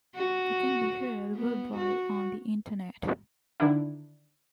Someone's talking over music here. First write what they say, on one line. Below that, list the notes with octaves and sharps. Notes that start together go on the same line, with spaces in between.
It can be heard worldwide on the internet.
F#4
B3
F#4
D3 D#3 D4 E4